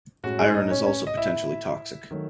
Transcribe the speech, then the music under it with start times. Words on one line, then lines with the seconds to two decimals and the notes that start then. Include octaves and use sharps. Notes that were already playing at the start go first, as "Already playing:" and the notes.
Iron is also potentially toxic.
0.23 A2 G#3 C#4 F#4
0.39 G#3 G#4
0.54 D#4 D#5
0.70 C#4 C#5
0.86 C#4 C#5
1.07 D#5
1.17 E4 E5
2.11 D#3 F#3 A3